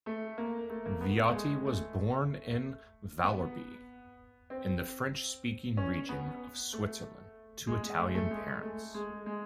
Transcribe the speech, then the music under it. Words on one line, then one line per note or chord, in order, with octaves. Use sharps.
Viotti was born in Vallorbe, in the French-speaking region of Switzerland, to Italian parents.
A3
A#3
A3
A#3
B3
A3
G#3
A3
B3
C4
C#4
B3
A3
G#3
G#3
A3
A3
G#3
A3
G#3
G#3